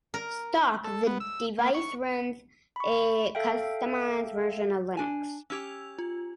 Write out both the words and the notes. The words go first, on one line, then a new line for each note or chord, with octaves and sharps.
Stock, the device runs a customised version of Linux.
A#4
A4
B3
E6
A#3
C#6
B5 C#6
A4 E5 F5 G5
D4 G#5
C#4 G4 E6 G#6 F7
F4